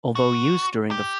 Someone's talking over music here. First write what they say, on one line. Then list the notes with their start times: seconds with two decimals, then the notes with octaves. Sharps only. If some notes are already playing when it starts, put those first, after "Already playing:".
Although used during the First World War, they were sold when the war ended.
0.15 F#4
0.91 G4